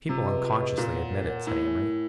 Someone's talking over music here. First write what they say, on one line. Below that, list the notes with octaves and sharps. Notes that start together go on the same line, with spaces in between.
"People unconsciously admit it," said Amory.
C3 F4
G#4 B4 D#5
F4
G#4 B4 D#5
A#2 A#4
C#5 F#5
A#4
C#5 F#5
A2 A#4
C#5 E5 G#5
A#4